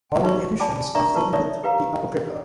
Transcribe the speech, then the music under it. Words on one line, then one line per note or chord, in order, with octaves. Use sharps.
Modern editions often omit the Apocrypha.
D#4 B4 C6 C#6
D5 G#5 A5 B5 D6
D4 A#4 D5 E5 A#5 C#6
F#4 A#4 B4 A5 C#6
D#4 A#4 C#5 D5 E5
G4 A#4 B4 F5 A#5